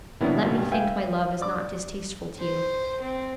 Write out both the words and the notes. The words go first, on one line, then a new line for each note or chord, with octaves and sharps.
And let me think my love is not distasteful to you.
B2 D#3 F#3 B3 D4 E4
B1 B2 A3
G2
B4 E5 F5 G5 G#5
D5 D6
C5
C4